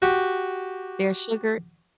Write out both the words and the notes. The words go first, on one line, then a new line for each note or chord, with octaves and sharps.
there's sugar
F#4 G4